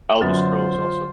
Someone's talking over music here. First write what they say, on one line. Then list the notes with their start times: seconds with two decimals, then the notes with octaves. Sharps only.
Elder Scrolls, also.
0.21 F#2 D3 F#3 B3 F4 C5